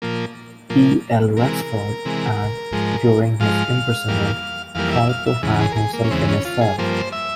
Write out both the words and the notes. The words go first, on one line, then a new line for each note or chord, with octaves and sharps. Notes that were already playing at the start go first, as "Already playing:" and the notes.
E. L. Rexford and, during his imprisonment, tried to hang himself in his cell.
A#2 F3 A#3
A#2 F3 A#3
C3 E3 G#3 A#4
C3 E3 G#3
G#2 F3 G#3
G#2 F3 G#3 F5
F2 E3 G3 A#3
F2 E3 G3 A#3 F5
E5
F5
E5
E2 C#3 E3 G#3
G#4
A#4
G#4
A#3
C#4
E2 C#3 E3 G#3 C4
C#4
F4
G#4
G2 F3 A#3 C5
E5